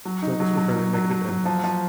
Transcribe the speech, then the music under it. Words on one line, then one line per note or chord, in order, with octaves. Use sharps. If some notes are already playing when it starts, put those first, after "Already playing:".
Still this was rather negative evidence.
F#3
D#4
F#3
F#3
F#3
F#3
F#3
F#3
F3
F3